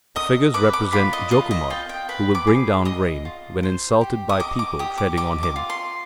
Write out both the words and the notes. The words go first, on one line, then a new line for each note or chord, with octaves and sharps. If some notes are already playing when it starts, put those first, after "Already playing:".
The figures represent Jokumara, who will bring down rain, when insulted by people treading on him.
D#5 D#6
B4 D6
D6
F4 B5
D#5
F4 D#5
D#5
F4 G5
G5
B4 B5
D6
G#4
D#5 D#6
F4
C5
G4
D#6
D#5 D6
D6
G4 D#6
D6
D#5 D6
D6
F4
C6